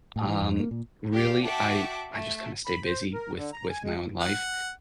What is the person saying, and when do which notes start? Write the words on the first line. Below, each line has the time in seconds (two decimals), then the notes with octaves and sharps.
um, really, I I just kinda stay busy with with my own life.
0.16 A2
0.28 E3
0.42 F2
0.59 A#3
0.71 A#2
1.12 G4 D5 F5
1.43 F#4 E5 F#5 G5 A5 D6
2.12 A3
2.66 B5
2.84 C5
3.13 A#4
3.37 D3
3.52 A#5
3.70 G#5
3.84 G#3
4.20 F#5